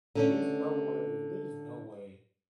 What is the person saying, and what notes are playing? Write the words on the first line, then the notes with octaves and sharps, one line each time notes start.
There's no way, there's no way.
D3 A3 C#4